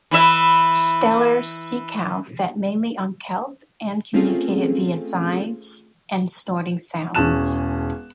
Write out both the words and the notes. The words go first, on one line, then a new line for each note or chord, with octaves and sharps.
Steller's sea cow fed mainly on kelp, and communicated via sighs and snorting sounds.
E3 E4 E5
A3 C4 C#4 F4 G#4 A4
E1 C#4 G#4 A5 F#6 E7